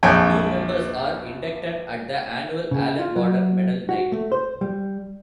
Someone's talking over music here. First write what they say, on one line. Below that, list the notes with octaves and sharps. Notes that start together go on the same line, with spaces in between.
New members are inducted at the annual Allan Border Medal night.
A#1 F2 C#5 G5 G#5
C#3
F4
F#3
F#4
A3
C5
G3